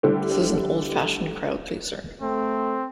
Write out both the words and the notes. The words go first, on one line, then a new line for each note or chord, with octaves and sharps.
This is an old-fashioned crowd-pleaser.
D3 G3 A3 E4 G4
A3 C4